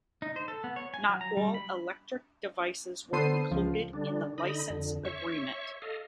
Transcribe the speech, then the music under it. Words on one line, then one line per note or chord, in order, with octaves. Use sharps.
Not all electric devices were included in the licence agreement.
D#4
C5
A4
B3
C#5
G#5
F#3
A#5
G3
B5
D3 B3 A4 C5 C7 D#7
C#2 F3
D3 G3 D4
D3 D#4 D#5 B5
F2 D3
C#5 E5 C#6
A4 D#5 F5